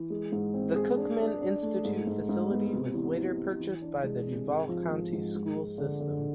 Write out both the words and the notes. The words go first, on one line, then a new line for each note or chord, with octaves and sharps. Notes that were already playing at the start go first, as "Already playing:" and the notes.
The Cookman Institute facility was later purchased by the Duval County School System.
Already playing: E3
G#3
G#2
C4
G#4
D4
D4
D4
A3
G#2
G#2
G#2
B3
C3
E2
E3
E3
E3
D4
G#3
C3
G#2
F3
G#2
G#2
G#3
G#3
D3
D3